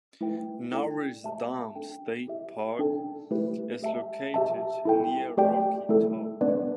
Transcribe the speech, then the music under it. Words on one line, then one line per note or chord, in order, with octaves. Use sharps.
Norris Dam State Park is located near Rocky Top.
A3 E4 B4 G5
E4 A4 D5 G5
A3 G4 E5 A5
D4 A4 G5
E4 G4 E5
D4 A4 G5
A3 E4 G4 B4
G4 E5 A5
G4 E5 A5
E4 A4 G5
A3 G4 D5 G5
A3 E4 A4
B3 D4 B4 D5